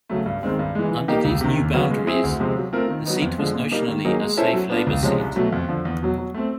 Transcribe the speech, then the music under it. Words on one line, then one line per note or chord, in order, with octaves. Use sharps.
Under these new boundaries the seat was notionally a safe Labour seat.
C#3 F#3 A3
G2
D#3 G#3 C4
G2
E3 G#3
E3
G3 A#3 D#4 G4
C#2
C3 D#3
D#2
C#3 F#3 B3
G#3
C4 E4 G#4
D2
C3 F3 G#3 C4
F#3
A3 C4 F4 A#4
D#3
F#3 B3 D#4
F2
D3 F3 G#3
A#2
G3 A#3 D#4
D#3
F#3 A#3 D#4 G#4
G#3
C#4 E4 A4 C5
F#3
B3 D4 F4
C#2
C3 F3 G#3 C#4
C2
B2 F#3 A3
F2
D3 F3
E2
B2 F#3
F#3
A3 C4